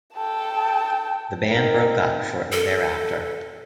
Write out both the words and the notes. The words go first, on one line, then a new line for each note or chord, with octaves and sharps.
The band broke up shortly thereafter.
A4 G5 A5
C4 D#4 A#4
A4